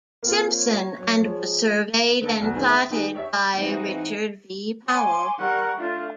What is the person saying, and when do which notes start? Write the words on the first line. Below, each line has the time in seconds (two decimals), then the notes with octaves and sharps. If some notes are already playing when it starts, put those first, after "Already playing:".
Simpson and was surveyed and platted by Richard V. Powell.
0.23 A#3 C4 F4
0.53 C#5
0.98 F#3 C#4
1.21 F3 G#3
2.21 D3 A4
2.39 E1 B1 F#4
2.53 D#3 A3 B3 C4 G#4
2.69 E5
2.90 D#3 D#4 G4 G#4 B4
3.15 G4 C#5 E5
3.54 E3 G#3 C4 D#4 F#4
4.87 C#5 G#5 C6 D6
5.38 G3 A#4 F#5 C#6
5.77 A3 D4 F4